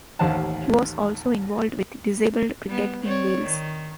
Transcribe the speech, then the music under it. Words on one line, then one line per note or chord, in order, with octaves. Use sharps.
He was also involved with disabled cricket in Wales.
A1 D#2 C5 F5 F#5 A5
G3 B3
C4 C#5 D5
D#3